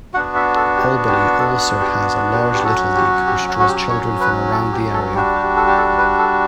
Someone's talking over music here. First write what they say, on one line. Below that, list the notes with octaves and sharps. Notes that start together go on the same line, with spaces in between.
Albany also has a large little league, which draws children from around the area.
B3 D4 F#4 F#5
E5
A4
G4
G4
A4
G4
G4
G4
F#3 C#4 F#4 A4
G4
G4
F#4
F#4
G4
C#5
B4
A4
G4
A4
G3 D4 F#4 G4
G4
A4
G4
A4
B4
A4